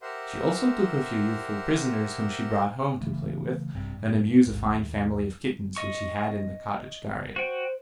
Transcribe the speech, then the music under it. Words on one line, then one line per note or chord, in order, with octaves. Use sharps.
She also took a few youthful prisoners, whom she brought home to play with and amuse a fine family of kittens, which she had in the cottage garret.
G4 A#4 C5 E5 F#5 C6
C#3 E3 A3
A#1 G2 C3
G2
A1 D#2 G#2
D#2
D#5 C#6
F#4 C5 G5